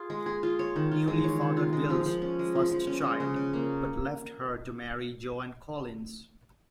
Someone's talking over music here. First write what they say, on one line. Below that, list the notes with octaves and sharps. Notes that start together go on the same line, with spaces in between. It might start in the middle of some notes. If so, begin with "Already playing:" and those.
Newley fathered Wills' first child, but left her to marry Joan Collins.
Already playing: F4 G#4
G#3
G#4
F4
C#5
D#3
F4
G#3
C#5
D#3
F4
G#3
F3
F3
C#4
G#3
F3
F3
C#4
G#3
C#3
C#3
A#3